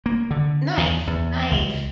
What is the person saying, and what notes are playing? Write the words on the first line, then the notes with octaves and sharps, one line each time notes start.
Nice. Nice.
A#3
D3
E2
E2
C#2